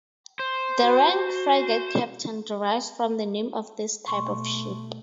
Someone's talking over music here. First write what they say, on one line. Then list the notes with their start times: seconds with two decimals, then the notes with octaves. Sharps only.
The rank "frigate captain" derives from the name of this type of ship.
0.39 C5
0.83 F#4
4.08 B2 A3 C6 C#6